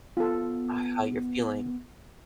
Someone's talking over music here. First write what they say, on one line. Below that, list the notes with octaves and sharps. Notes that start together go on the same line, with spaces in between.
how you're feeling
B3 F4 A4